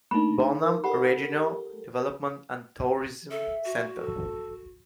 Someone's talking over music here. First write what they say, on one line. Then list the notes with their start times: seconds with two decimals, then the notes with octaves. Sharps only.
Bonham Regional Development and Tourism Center.
0.11 A3 A#3 D4 D#4 B5
0.62 A#4
0.84 G4 A4 A#4 F#5 B5
3.31 A4 E5
3.65 F#4
4.00 A4